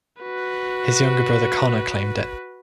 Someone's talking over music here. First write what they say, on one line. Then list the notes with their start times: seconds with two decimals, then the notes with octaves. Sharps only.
His younger brother, Conor, claimed it.
0.21 F#4 B4